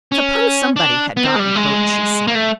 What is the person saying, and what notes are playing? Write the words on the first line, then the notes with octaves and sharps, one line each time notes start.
"Suppose somebody had gotten hurt," she said.
C#4
D4
B3
C4
G#3
G3
G#3
A#3
A3